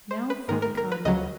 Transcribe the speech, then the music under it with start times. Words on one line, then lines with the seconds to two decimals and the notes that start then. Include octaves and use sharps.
Now for the Cardinal.
0.11 C5
0.30 B4
0.48 G#2 D#3 G#3 A#4
0.62 A#4
0.77 A#4
0.92 B4
1.05 D2 C#3 F#3 D#5